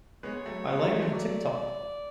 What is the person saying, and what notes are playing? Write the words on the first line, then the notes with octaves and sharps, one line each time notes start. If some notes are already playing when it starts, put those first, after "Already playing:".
I like 'em tip-top.
G#3 B3 C#5
F#3 A3
G#3 B3
F#3 A3
E3 G#3
F#3 A3 C#5
D5